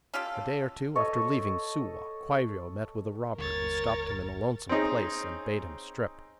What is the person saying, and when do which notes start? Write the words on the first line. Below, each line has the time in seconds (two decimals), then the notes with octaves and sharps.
A day or two after leaving Suwa, Kwairyo met with a robber, who stopped him in a lonesome place, and bade him strip.
0.14 C#4 F4 G4 A4
0.95 A4 C#5 D#5
3.38 G1 D#2 A#4 C#5 A6
4.69 C4 C#4 D#4 G#4